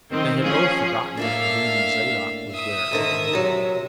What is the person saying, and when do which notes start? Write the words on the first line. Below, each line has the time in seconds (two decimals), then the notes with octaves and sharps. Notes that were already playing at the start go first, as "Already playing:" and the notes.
They had both forgotten that the Demon Zadok was there.
0.12 D#3 C4
0.43 F3 C#4 G#4
1.17 A2 A#3 D4 E5 F5
2.52 E5 D#6
2.91 G#2 D3 D#3
3.33 C3 F#3